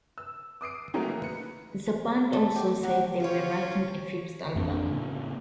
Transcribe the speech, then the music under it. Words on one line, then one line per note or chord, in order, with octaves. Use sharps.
The band also said they were writing a fifth album.
E6
D6 D#6 C7 D7
F#3 A3 A#3 C#4 D#4 G#4
E3 A#3
B4 C#7
A3
G4
F#3
C#4 F4 G4 C#5
A1 F2 A#3 D4
A2 C#3 A#3 C#4